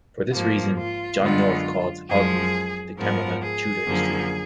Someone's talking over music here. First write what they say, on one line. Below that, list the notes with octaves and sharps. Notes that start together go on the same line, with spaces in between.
For this reason, John North calls Holbein "the cameraman of Tudor history".
G#2 F3 A#3
F4
F#2 D3 G#3 B3 F4
F#2 F3 G#3 G#4
G#2 F3 B3 A#4
G#4
F#2 D3 F3 A#3